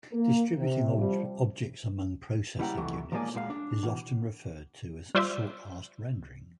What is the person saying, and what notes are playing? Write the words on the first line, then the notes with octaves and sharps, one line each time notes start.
Distributing objects among processing units is often referred to as sort last rendering.
A#3 A#4
C3
F3 G3
C#2 G3 E4 F#5 G5 A#5
F2 E3 F#3 A3
B1 F3 G#3 A#3 D5 G#5
D2 A#2 G#3 A#4 F5
D4
B2 E3
G3 F4 C5 D5 E5